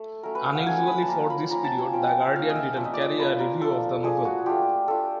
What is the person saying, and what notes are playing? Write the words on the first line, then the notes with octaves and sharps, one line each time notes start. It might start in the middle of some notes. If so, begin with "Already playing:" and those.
Unusually for this period, "The Guardian" didn't carry a review of the novel.
Already playing: A3 A4
F#3 A3 C#4 A#4
B4
F5
F#5
F#3 A3 C#4 G#5
B5
A5
F3 A#3 C#4 A#5
B5
F3 A#3 C#4 A#5
A5
G#5
F3 A#3 C#4 G5
F3 A#3 C#4 F5
D#5
E5
F3 A#3 D4 E5
D#5
D5
D#5
F3 A#3 D4 B4
A#4
F3 A#3 D4 A4
F3 A#3 D4 G#4
F#4
A3 D4 F4 G4
A3 D4 F4 A4